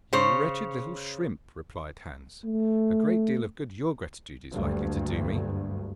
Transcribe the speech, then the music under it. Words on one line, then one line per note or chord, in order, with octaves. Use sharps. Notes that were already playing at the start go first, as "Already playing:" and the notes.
'You wretched little shrimp,' replied Hans, 'a great deal of good your gratitude is likely to do me!
C#3 C5 C#5
A3
F#1 D2 G2